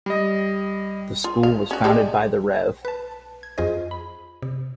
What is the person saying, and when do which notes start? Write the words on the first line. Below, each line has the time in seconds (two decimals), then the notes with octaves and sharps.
The school was founded by the Rev.
0.06 G3 D#5
1.24 F4
1.43 F5
1.71 C#4 F#4
1.84 G3 G#3 G4
2.85 B4 A5
3.43 G#6
3.58 F2 F4 G#4 C5 D#5
3.91 B5
4.42 C3